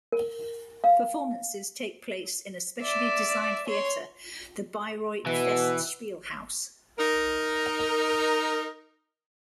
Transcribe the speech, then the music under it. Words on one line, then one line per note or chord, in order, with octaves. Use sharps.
Performances take place in a specially designed theatre, the Bayreuth Festspielhaus.
A#4
F5
D5 E5
C#5 C6
B2 E3
D#4 A#4